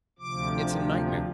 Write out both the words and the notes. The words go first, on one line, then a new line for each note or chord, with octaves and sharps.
It's a nightmare!
D2 C3 F3 D6